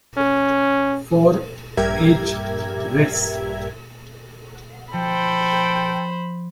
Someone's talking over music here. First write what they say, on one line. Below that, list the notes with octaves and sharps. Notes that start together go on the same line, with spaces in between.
For H Res.
C#4
A#1 G2 G4 A#4 E5 G#6
F3 A4 C5 G5 B5